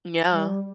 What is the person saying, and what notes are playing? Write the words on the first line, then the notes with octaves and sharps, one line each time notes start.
Mm yeah.
G3